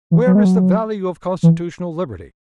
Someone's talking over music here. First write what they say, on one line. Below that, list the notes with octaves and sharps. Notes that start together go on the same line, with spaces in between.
Where is the value of constitutional liberty?
E3
F#3
G#3
F#3
E3